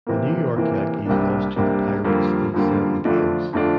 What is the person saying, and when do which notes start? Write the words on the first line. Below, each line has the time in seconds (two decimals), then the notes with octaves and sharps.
The New York Yankees lost to the Pirates in seven games.
0.07 C3 E3 A#3
0.56 C3 E3 A#3
1.06 C2 C3 G3 A#3 D4
1.56 C2 C3 G3 A#3 D4
2.05 F2 D3 G3 A#3 F4
2.54 F2 D3 G3 A#3 F4
3.04 F2 D3 A3 D4 F4
3.53 F2 D3 A3 D4 F4